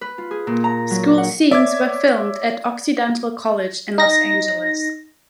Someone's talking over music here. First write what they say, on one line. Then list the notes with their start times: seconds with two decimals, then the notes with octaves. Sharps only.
School scenes were filmed at Occidental College in Los Angeles.
0.01 B4
0.18 F4
0.31 G#4
0.47 A#2
0.64 A#5
0.90 F#3
1.18 F#5
1.51 C#5 D5 E5 D6 G#6
3.98 D#4 A#6